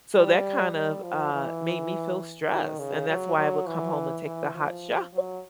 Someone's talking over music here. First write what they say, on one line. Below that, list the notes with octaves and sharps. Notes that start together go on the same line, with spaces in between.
so, that kind of, uh, made me feel stressed and that's why I would come home and take the hot shower
G3
G3
F3
E3
D#3
C#3
F#3
F#3
E3
E3
F3
F#3